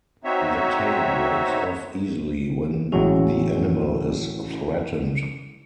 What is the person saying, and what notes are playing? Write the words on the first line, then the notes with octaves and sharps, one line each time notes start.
The tail breaks off easily when the animal is threatened.
C4 D#4 F#4 C#5 E5
A1 F#3 G#3 C#4 E4